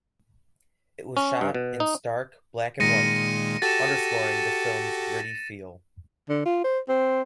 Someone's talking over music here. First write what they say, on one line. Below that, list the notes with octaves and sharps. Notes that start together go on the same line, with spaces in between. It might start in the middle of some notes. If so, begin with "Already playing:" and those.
It was shot in stark black-and-white, underscoring the film's gritty feel.
C#4
G2
B2
D#4
A#2 D#3 G#3 A#6 C#7 D#7
F#4 G4 A4 A6 E7
D3
F4
C5
C4